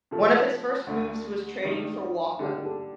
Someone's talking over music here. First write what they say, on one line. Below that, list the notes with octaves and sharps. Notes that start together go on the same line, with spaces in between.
One of his first moves was trading for Walker.
C3 F3 A3 A4
D2 D3 A3
G2 D#3 G3
D3 G3 D4 G4
G4
A4